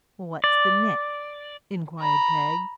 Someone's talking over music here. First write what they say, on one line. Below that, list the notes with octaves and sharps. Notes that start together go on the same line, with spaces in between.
'What's the next?' inquired Peg.
D5
A#5 B5